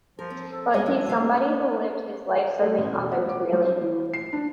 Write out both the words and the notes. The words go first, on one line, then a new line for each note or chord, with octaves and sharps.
But he's somebody who lived his life serving others, really.
F3 A#4
C4
A4
G#3
E3 F#3 F#4
D2 C3 F5
A3
A1
E1
F#5
D6
F#3
C5
E3
C7
D4